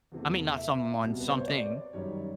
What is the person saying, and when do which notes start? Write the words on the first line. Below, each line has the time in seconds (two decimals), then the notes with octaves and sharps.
I mean not someone, something,
0.12 E2 C3 E3 A3
0.57 E5
1.03 C2 B2 G3
1.20 B4
1.29 C5
1.39 C#5
1.48 D5
1.93 F#2 D#3 G3 C#5